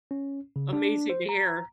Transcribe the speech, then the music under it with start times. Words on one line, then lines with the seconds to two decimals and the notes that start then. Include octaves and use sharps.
amazing to hear.
0.11 C#4
0.56 C#3
0.73 D4
1.10 C5
1.29 A#5